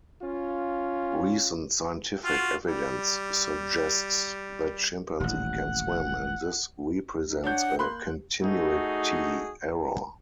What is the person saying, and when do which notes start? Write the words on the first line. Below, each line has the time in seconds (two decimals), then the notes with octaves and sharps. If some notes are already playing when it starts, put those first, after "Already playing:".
Recent scientific evidence suggests that chimpanzee can swim, and this represents a continuity error.
0.21 C#4 F4
2.25 F4 F#4
2.68 G3
5.20 D#1 A1 F#5
7.28 D#4
7.44 D4 C#5 F#5 G6
7.79 A#3 B5 C6 F#6
8.42 A3 D#4 F#4 G#4